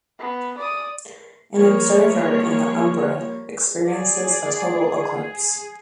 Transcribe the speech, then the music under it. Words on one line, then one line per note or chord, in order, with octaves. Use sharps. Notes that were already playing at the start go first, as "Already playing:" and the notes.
An observer in the umbra experiences a total eclipse.
B3
D5 D#6
F3 G3 A#3 C#5
G#4 D5